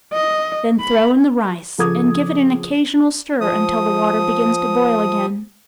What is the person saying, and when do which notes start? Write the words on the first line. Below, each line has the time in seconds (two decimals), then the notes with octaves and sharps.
Then throw in the rice, and give it an occasional stir until the water begins to boil again.
0.13 D#5
0.80 B5
1.78 C#3 F3 A4 D6 D#6 G#6
3.41 F3 D#6